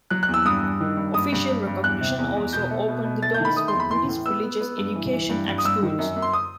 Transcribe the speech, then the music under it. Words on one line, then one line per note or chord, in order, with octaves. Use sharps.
Official recognition also opened the doors for Buddhist religious education at schools.
F#3 F#6
F#6
E2
E6
G2 D#6
G2
D#3
G2
G2 D#6
G2
G2
G2
E2 F#6
C3
E2
E2
B2 G6
A3
B2
B2
A3 A6
G6
D#3 B5
A3 D#6
C6
E2 B5
E3 C6
A2
B3 E6
B3
B3
G2
E3
E3
G2
G2
D#6
G2 E6
D#3
F#2
F#2
C6
D#6